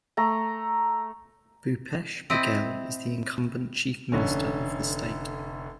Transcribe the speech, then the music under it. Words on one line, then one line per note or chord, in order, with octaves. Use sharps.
Bhupesh Baghel is the incumbent Chief Minister of the state.
A3 A#5
C4 E4 D#5
F1 D3 C#4